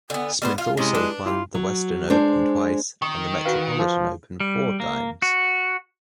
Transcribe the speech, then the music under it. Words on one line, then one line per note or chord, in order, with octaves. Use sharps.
Smith also won the Western Open twice and the Metropolitan Open four times.
D3 B3 G#5
G3 B3 G#4 C5
F4 F5
C3 G#3 C#4 E4 G4 D#5
D4 B4
E4 F4 G4
F#3
G#3 D4 C5
D#3 C#6
F#4 B4 F5
F3
G3
A#3
F#4